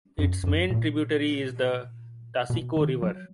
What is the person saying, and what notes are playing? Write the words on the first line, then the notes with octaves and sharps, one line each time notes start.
Its main tributary is the Taseko River.
F#2
F#2
A#2
B2
D#3
F#3